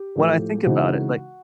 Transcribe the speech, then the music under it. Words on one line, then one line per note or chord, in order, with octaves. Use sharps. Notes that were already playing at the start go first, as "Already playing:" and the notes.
when I think about it, like,
Already playing: G4
A2 F3 A3
C#3 E3 G#3 C4 D#4 F#4